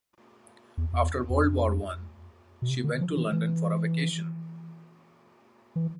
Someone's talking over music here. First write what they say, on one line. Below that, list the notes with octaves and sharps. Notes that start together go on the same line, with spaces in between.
After World War One, she went to London for a vacation.
E2
E2
E2
F2
B2
C3
D3
F3
E3
E3
E3